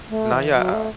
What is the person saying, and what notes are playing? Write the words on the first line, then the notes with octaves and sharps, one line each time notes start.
No, yeah
A3
E3
F#3
A3